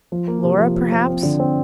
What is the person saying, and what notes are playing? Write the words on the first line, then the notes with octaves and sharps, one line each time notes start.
Laura perhaps....'
F3
A#3
C3
F3
F3
F3
C4
D3
C4